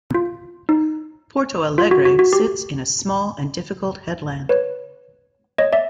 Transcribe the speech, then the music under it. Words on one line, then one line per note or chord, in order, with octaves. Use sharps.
Porto Alegre sits in a small and difficult headland.
F4
D#4
F4
F#4
F#4
F#4
G4
B4 C#5
C#5 D#5
D5 E5